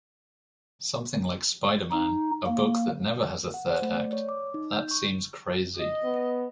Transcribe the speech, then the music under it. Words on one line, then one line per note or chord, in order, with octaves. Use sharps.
Something like Spider-Man, a book that never has a third act, that seems crazy.
D#4
A#3
F#5
C5
A3
D5
C#5
D6
D#4
G6
C#6
D#5
B3